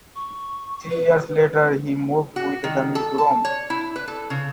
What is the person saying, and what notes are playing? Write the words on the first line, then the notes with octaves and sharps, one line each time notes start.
Three years later, he moved with his family to Rome.
C#6
B4
F#4
D#3
A4
A5
C#5
E4
B4
A4
C#3